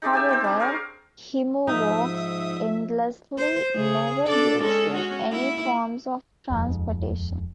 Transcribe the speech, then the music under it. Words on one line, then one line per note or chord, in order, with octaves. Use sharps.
However, Himu walks endlessly - never using any forms of transportation.
D#4 G#4 D5 E5
G4 G#5 E6
C4 D#4 C5
D4 D5
G#4 A#4 C#5 F5
G#2 F3 D#4 E5 D#6
C5
C#3 G#4
D4 A4 D5
G#3 C#4 A4
C#4 F#4
A#3 E4
D#1 F2 G#2